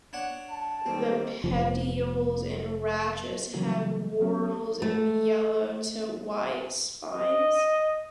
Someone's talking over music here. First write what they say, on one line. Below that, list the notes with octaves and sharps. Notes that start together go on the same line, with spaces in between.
The petioles and rachis have whorls of yellow to white spines.
D4 C#5 F#5
A5
D#3 G3 A#3 C4
F1 F3
C#3 E3 F#3 G3 A#3
F#3 B3 C#4 G4
A3
D#5